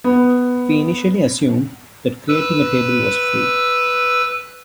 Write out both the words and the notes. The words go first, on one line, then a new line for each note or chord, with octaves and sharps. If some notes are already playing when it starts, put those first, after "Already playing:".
We initially assumed that creating a table was free.
B3
B4 E6